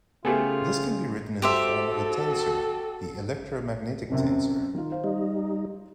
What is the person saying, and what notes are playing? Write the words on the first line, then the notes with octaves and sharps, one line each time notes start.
This can be written in the form of a tensor-the electromagnetic tensor.
C#3 A3 B3 F4 G4 G#4
F#4 G4 A4 C5 E5
C2 F#2 C3
D#3 F4
C5 F5
G3 D#4